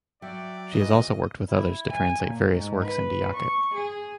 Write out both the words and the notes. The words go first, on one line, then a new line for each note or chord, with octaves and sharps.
She has also worked with others to translate various works into Yakut.
F#3 D5 E5 G5
G2 B2 E3 D#5
E4
G#5
A#2
G#2
B4
C#6
G#4